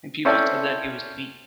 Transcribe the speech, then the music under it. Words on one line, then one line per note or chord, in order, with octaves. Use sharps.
And people said that he was weak.
C4 C#4 E4 A4 C5 D5